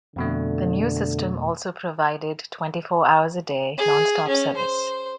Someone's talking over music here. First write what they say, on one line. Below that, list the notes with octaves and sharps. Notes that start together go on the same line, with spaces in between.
The new system also provided twenty-four hours a day, nonstop service.
F2 B2 D3 A3
G#4
C#4
C5